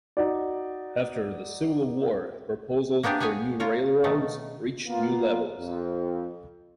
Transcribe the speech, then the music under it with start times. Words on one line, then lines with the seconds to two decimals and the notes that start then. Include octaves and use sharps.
After the Civil War, proposals for new railroads reached new levels.
0.17 D#4 F#4 D5
3.03 A#3 B3 D4 G4 G#4
3.20 B3 G#4 B4 C#5 G#5
3.60 F4 A#4 C#5
4.04 B2 D#3 A3
4.86 A#3 B3 F4
5.59 F2